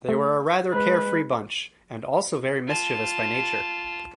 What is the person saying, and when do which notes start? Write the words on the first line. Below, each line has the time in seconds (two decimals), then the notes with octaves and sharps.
They were a rather carefree bunch, and also very mischievous by nature.
0.09 A3
0.70 G#3 B4
2.67 F4 A5